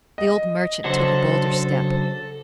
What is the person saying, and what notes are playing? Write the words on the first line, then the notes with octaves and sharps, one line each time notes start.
The old merchant took a bolder step.
D#5
C#3 F#3 D4 A4 C5